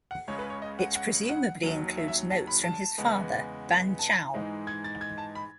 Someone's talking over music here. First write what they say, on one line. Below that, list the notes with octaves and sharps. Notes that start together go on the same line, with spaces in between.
It presumably includes notes from his father Ban Chao.
F#5
C#2 C#3 G#3 C#4 C#5
B4
C#5
D#5
F#5
F#5
F#5
D#2 D#3 F#3
E5
E5
A5
B5
A5
E2 C#3 G#3 B3
A5
G#2 E3 G#3 D#4
G#6
A6
G#6
A5
B5